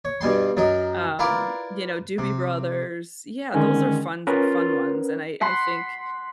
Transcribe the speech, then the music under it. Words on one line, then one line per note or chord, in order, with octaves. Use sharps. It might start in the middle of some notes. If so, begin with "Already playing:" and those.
um, you know, Doobie Brothers, yeah, those are funs fun ones, and I I think,
C#5
G2 B2 G3 G#5 C6
F#2 F#3 A#4 D#5
E4 F4 A#4 B4 D5
C3
D3 D#3 G#3 C#4
C#4 F4 A#4 B4
F#5 B5 C6